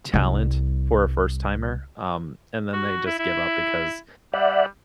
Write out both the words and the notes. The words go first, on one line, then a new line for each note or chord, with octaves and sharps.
talent for a first timer, um, and then they just give up because,
C2 G3
F#4
E4
E4
G3 D5 E5 F#5